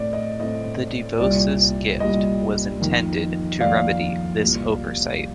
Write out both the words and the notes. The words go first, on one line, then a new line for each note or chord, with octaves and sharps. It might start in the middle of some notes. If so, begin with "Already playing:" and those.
The DeVoses' gift was intended to remedy this oversight.
Already playing: A2 A3 C4 D5
D#5
A2 A3 C4 D#5
C2 A#2 G3 D5
C2 A#2 G3 D#5
F2 D#3 A#3
F2 D#3 A#3 D5 F5
C2 A#2 G3 A#3